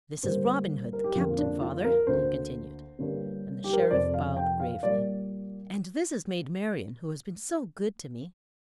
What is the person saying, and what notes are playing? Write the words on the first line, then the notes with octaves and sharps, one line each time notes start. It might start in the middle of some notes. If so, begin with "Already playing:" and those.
"This is Robin Hood, the captain, father," he continued, and the Sheriff bowed gravely; "and this is Maid Marian, who has been so good to me."
G1 G2 G3 A#3 C5
A#4
G4
F2 D3 F3 A#3 F4
D4
F4
A#4
D2 D3 A#3 C5
G1 G2 G3 A#3
G4
A#4
C5
F1 F2 F3 D5
F5
G5
F5
A#2 G3 A#3 D5